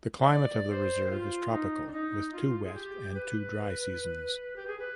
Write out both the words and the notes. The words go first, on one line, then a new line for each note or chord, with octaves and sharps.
The climate of the reserve is tropical with two wet and two dry seasons.
D#5
D5
C5
G4
F4
D#4
D4
D#4
F4
G#4
G4
B4
G4
G#4
B4